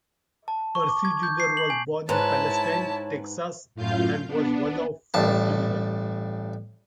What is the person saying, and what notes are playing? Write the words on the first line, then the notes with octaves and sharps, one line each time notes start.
Percy junior was born in Palestine, Texas and was one of four children.
A5
C#6
D6
G#6
G6
C7
F#7
G#5
G#2 E4 B4 C#5 A5
F#2 A2 F4 F5 G6
B3 D4
A1 G2 A5